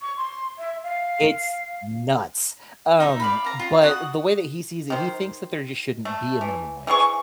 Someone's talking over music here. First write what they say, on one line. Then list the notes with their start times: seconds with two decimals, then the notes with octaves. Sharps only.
it's nuts, um, but the way that he sees it, he thinks that there, just, shouldn't be a minimum wage.
0.01 C#6
0.17 C6
0.59 E5
0.83 F5
3.00 D#4 E5
3.20 D5 F5 B5
3.44 F5 A#5
3.59 F4
3.82 F#4 F#5 A5 D#6
4.90 D#3 C5
6.05 A3
6.41 E3
6.87 E3 G#4 C6 C#6